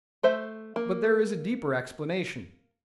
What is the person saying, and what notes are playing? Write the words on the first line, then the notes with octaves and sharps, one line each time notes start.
But there is a deeper explanation.
A3 C5 E5
A#3